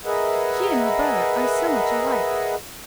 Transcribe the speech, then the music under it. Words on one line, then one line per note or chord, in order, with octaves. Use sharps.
She and her brother are so much alike!
G#4 A#4 B4 D#5 E5 F#5